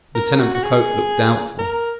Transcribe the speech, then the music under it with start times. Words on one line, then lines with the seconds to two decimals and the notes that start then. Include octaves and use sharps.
Lieutenant Procope looked doubtful.
0.15 A#4
0.39 F#4
0.54 F#4
0.63 G#4
1.59 A#4